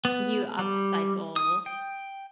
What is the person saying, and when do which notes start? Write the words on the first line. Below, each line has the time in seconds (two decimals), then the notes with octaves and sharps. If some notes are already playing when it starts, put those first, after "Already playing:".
you upcycle
0.05 B3
0.59 G3
1.36 D#6
1.66 G5